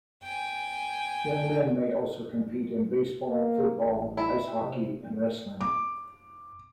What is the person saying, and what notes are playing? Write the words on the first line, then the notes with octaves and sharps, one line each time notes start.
Young men may also compete in baseball, football, Ice Hockey, and wrestling.
G5 G#5
A#3
A1
E4
C3
D6